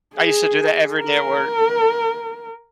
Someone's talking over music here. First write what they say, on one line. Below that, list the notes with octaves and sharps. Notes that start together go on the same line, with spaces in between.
I used to do that every day at work.
G#4
A#4